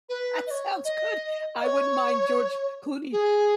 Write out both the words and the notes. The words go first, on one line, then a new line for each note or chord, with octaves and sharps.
That sounds good! I wouldn't mind George Clooney-
B4
D#5
C#5
D#5
D#5
C#5
G#4